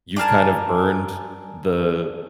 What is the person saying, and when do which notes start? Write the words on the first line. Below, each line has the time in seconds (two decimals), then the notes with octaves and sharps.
you've kind of earned the
0.16 D4 G#4 A#4 A5